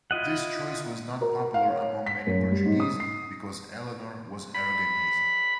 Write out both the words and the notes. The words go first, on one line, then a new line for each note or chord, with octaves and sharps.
This choice was not popular among many Portuguese, because Eleanor was Aragonese.
E4 F4 D#5 F#5
A#4
F5
C#5
B6
F#2
G3
G#2
D#6
C7
B5